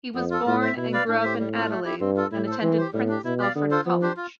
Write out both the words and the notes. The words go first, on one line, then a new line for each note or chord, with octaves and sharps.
He was born and grew up in Adelaide, and attended Prince Alfred College.
F2 B3
F4 A4
A2 F4
C5 E5
B2 E4
B4 D5 F5
A2 D4
G4 C5 E5
G3
C4 F4
A3
E4 G4
G2 C4
F4 A4
A2 E4
A4 C5
E3 C4
G4 C5
A2 G3
D4 G4
B2 E4
G4 D5 F5
D3 B3
F4 A4 C5
F3 B3
D4 G4 C5
F4